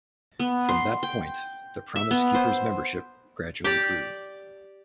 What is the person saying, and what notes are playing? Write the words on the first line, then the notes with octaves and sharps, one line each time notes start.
From that point, the Promise Keepers' membership gradually grew.
B3
C6
G5
E5
B3
C5
G4 D5